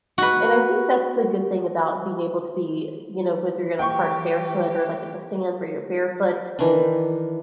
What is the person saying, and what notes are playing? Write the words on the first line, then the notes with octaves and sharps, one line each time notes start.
And I think that's the good thing about being able to be, you know, whether you're going to the park barefoot or, like, in the sand where you're barefoot.
F#4 B4
E3 G4 G5 C#6
D#3 E3 D4